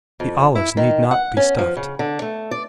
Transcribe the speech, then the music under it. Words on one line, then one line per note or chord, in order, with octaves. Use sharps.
The olives need not be stuffed.
F2
E4
D#3
F#5
C#4
F3
C#3
D3
A3
D5